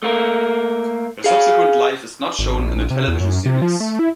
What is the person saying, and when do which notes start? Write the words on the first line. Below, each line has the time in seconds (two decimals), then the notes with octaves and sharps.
Her subsequent life is not shown in the television series.
0.03 A3 A#3 A#4
1.24 G#4 F5
2.39 G#1
2.59 A#1
2.76 A#1
2.90 C3
3.08 E2
3.20 F#2
3.46 C3
3.62 F3
3.80 A3
3.99 E4